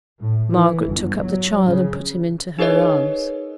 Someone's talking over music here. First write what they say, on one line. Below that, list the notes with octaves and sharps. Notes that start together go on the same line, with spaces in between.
Margaret took up the child and put him into her arms.
A2
E3
G1
F#3
C#3
D#4 G#4 A#4 B4 C#5 D#5